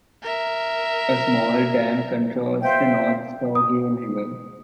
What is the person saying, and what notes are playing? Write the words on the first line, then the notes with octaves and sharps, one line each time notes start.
A small dam controls the North Saugeen River.
A#4 E5
C5 E5 F5 G5
D#6